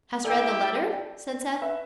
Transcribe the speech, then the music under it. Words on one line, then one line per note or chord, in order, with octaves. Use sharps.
"Hast read the letter?" said Seth.
E4 G4 A4 D5 E5 G5
D5 G5
B4 E5